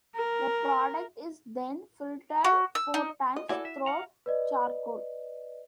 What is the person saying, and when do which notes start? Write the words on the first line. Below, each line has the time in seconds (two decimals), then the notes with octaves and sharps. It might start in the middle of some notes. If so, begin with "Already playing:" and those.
The product is then filtered four times through charcoal.
0.16 A#4
2.45 F#4
2.75 E6
2.94 D#4
3.36 D#5
3.49 E4 F#4 A4 D5 G#5
3.65 E5
3.86 F5 F#5 A#5
4.26 B4 D5 D#5